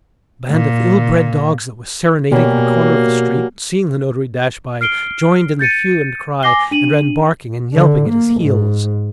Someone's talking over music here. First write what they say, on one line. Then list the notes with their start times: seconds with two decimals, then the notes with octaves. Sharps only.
A band of ill-bred dogs, that were serenading at a corner of the street, seeing the notary dash by, joined in the hue and cry, and ran barking and yelping at his heels.
0.51 A#2
2.32 B2 F#3 G3 A#3 G#5
4.81 F6 C7 D7 G7
5.59 G6 A6 C#7 D#7
6.43 G#5 D6 A#6 C7 G7
6.71 D4 D#7 F#7
7.73 D3
8.09 A#3
8.41 G#2